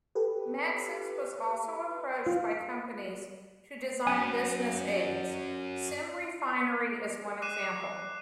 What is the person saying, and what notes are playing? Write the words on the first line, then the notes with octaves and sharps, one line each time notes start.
Maxis was also approached by companies to design business aids; "SimRefinery" is one example.
G4 A4 B4
F4
C#4 F#4 G#5
D6 F#6 C7 D#7 E7